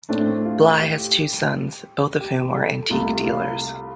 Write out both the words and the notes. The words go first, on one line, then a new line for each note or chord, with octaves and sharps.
Bly has two sons, both of whom are antique dealers.
A2 A3 C4 D4
F4
G4
G4
A4
C2 C3 A3 F4
F4